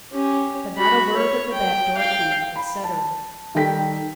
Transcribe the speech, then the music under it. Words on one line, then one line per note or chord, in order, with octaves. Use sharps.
But not a word of the back-door key, etc.'
C#4 G4
F#4 B5
C#5
G5
F5 G5
B5
A5
D#3 G3 A4 G5 B6